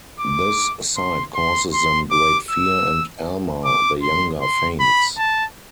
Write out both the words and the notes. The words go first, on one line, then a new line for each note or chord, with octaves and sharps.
This sight causes them great fear and Alma the Younger faints.
D6
C6
C6
C6
D6
E6
D6
C6
C6
B5
A5